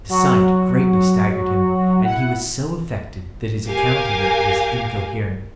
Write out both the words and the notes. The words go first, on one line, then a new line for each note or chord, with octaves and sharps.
The sight greatly staggered him, and he was so affected that his account of it was incoherent.
F#3 F#4
E4 F#5
G4 A#4 F5 G#5